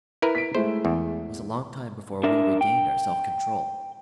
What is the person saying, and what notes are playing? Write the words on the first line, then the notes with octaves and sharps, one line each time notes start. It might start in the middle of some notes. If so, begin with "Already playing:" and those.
It was a long time before we regained our self-control.
E4 A#4 B4
B6 D7
G#3 A3 E4 C5
E2
D4 A#4 E5
G5